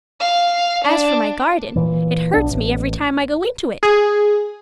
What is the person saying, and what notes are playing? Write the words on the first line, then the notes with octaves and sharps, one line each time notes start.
As for my garden, it hurts me every time I go into it.
F5
D4
A#2 E3
B1 B3 D4
A1
G#4